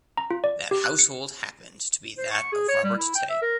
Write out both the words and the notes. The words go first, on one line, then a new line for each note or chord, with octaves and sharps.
That household happened to be that of Robert Tay.
A#5
F4
D5
G4
F#6
C#7
C5
C#6
G#4
C#5
G3
E4
G5
E5
A#4